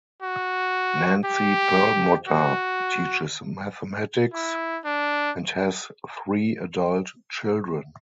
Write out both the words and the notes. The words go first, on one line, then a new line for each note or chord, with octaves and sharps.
Nancy Perlmutter teaches mathematics and has three adult children.
F#4
G4
F#4
E4
D4